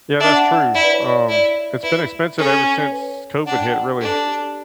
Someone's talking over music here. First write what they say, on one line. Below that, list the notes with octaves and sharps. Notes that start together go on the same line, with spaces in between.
Yeah, that's true. Um, it's been expensive ever since COVID hit, really.
D4 E5
F#5
F#5
F#5
E4 D5
B4
C#5
D5
E4 D5
E4 B4
C#4 A4
C#5
B4
D4 F#5
G5
F#5
G4
D4 A4
G4